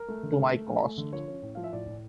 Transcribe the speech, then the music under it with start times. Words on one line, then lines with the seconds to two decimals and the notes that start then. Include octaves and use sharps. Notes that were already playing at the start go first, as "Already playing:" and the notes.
To my cost.'
Already playing: A#4
0.08 A3
0.23 D3
0.38 A3
0.53 A3
0.68 A3
0.83 A3
0.98 D3
1.13 F3 C#5
1.28 C#4
1.42 A2
1.55 F3 F5
1.64 E5
1.73 A2 D5
1.87 A2